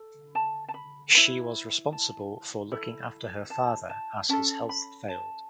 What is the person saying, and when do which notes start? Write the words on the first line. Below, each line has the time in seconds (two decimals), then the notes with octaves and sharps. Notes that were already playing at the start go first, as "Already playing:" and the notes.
She was responsible for looking after her father as his health failed.
Already playing: A4
0.35 A5
0.68 A5
0.74 B5
1.14 E4 B4 B5
1.92 A5
2.72 E4 A4 B5
3.50 A5
3.89 A5
4.29 C#4 A4 A5
4.69 B5
5.08 A5